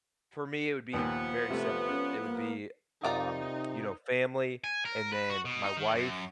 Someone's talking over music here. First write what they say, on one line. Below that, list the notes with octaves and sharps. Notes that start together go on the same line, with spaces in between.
For me, it would be very similar. It would be, um, you know, family, and then my wife.
D#2 A#2 F3 B3
C3 A3
C#4
A#3
C3 D#4 F4 A#4 D5
G#5
A#4
B4
F#4
B2
D#4
D#3
F#2